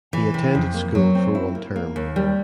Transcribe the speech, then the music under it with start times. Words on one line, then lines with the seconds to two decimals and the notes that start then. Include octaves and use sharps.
He attended school for one term.
0.13 E3
0.34 C3
0.55 F2
0.74 A#3
0.95 F#3
1.15 C4
1.35 E4
1.55 A#3
1.76 A#3
1.96 D#2
2.16 G3